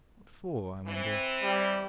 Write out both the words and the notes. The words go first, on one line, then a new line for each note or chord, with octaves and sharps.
What for, I wonder?
E3 C4
G3